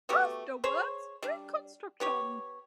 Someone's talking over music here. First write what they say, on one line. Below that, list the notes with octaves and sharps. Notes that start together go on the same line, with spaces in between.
Afterwards - reconstruction.
A3 B3 F#4 G4
G#4 C5 C#5
G3 D4
B3 G4 C#5